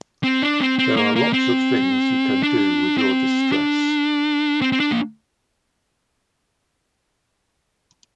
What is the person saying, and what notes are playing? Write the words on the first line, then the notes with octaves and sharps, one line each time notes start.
There are lots of things you can do with your distress.
C4
D4
C4
C4
A#3
A#3
C4
D4
C4
D4
C4
C4
D4
A#3